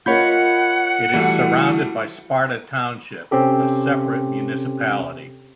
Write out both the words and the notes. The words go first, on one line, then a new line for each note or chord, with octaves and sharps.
It is surrounded by Sparta Township, a separate municipality.
F4 A#4 C#5 D#5 F#5 B5 G6
E3 G3 A3 F#4
C3 C4 C#4 G4 A4